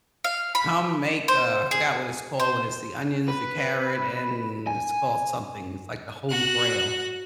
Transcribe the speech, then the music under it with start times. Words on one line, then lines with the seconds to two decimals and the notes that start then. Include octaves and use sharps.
come make" uh, I forgot what it's called when it's the onions, the carrot and it's called something- it's like the holy grail.
0.24 F5
0.55 B5
1.28 C5
1.71 G#4
2.40 C5
3.28 B4
4.67 G#5
6.29 F#4 F#6